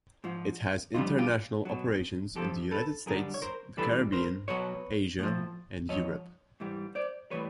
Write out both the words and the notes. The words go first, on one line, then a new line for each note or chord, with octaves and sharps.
It has international operations in the United States, the Caribbean, Asia, and Europe.
G#2 F3
F2 D3 G3 D#4 F4
F4 G4
B2 F#3
F2 C3 F3 G4 A4
A4 B4
F#2 D3 G3 G#4 A#4
C#5
A#4 C5
G2 E3 G3 A4 B4
A#4 C5
B2 F#3 B4 C#5
A2 F3
G#2 F3 C#5 D#5
G#2 E3 G3
C5 D5
A2 E3 G3 B4 C#5